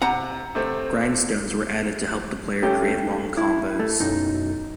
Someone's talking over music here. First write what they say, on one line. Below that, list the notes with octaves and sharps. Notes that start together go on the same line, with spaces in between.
Grindstones were added to help the player create long combos.
C3 F#5 A#5
C3 A3 C4
A3 C#4 G4
E4
A3
B1 F#2 D#4